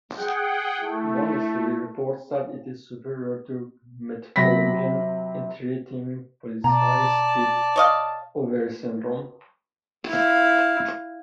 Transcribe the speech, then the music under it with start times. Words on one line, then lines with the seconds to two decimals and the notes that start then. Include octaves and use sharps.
One study reports that it is superior to metformin in treating polycystic ovary syndrome.
0.14 G#4 F#5 G5
0.81 A3 E4
4.36 C3 F#3 B5 A#6 B6
6.64 B2 D5 A5 A#5
7.76 C#5 D#5 F5
10.08 E4 F5